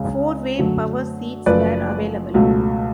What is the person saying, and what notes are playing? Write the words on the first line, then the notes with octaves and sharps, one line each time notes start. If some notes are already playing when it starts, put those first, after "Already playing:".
Four-way power seats were available.
Already playing: C#2 C#3 G#3
F#2 D3 F#3 A3
F#1 F#2 F3 A3 B4 D5
C#2 B2 F#3 A3